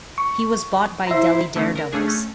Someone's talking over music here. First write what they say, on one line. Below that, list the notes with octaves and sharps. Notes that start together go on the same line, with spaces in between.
He was bought by Delhi Daredevils.
C#6
E4 C5 E5 A#5
D3 A3 B3 C#4 D#4
A#4
A3 C#4 D4 G#4
A3 C#4